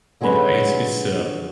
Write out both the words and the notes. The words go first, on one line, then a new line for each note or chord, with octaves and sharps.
Yeah, it's it's, uh
D3 F#3 G#3 C#4 B4